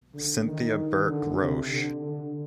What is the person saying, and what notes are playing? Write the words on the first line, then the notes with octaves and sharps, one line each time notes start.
Cynthia Burke Roche.
D3
D#3
D3
C3
D3
D3